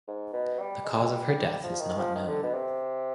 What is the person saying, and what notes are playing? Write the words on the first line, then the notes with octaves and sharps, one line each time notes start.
The cause of her death is not known.
G#2
B2
G3
G#3
G3
F3
D#3
F3
D#3
D3
B2
C3